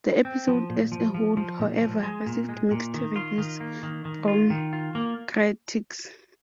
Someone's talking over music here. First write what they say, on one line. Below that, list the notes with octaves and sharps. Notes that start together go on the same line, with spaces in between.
The episode as a whole, however, received mixed reviews from critics.
C4
F3
A#2
F3
F3
F3
A#2
F3
G#3
A#2
G#3
A#2
D#3
F4
D#3
A#3
D#3
D#3
F4
D#3
F4
A#3